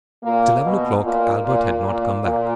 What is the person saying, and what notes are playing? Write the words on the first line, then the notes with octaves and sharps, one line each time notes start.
At eleven o'clock Albert had not come back.
A#2 A#3
B2
A#2
A#2
A#2
A#2